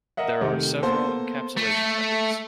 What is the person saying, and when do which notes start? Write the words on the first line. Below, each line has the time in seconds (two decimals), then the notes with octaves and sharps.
There are several encapsulation methods.
0.17 A#4 D#5 E5 F#5
0.41 C3 D#3 A3
0.82 A#3 B3 A4 C5
1.57 A3